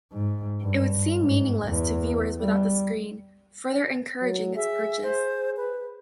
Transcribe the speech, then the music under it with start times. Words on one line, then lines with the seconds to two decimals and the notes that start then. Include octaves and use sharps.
It would seem meaningless to viewers without the screen, further encouraging its purchase.
0.12 G#2
0.62 G2
1.21 G#2
1.67 E2
2.39 G3
4.22 F#3
4.56 G#4 E5
5.03 C5
5.57 B4